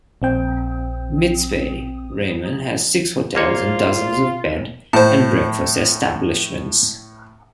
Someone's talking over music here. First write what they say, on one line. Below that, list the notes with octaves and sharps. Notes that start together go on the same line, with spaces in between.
Mitzpe Ramon has six hotels and dozens of Bed and Breakfast establishments.
A#1 C4 G5
A#1 A#3 F4 C#5
A2 C5 A5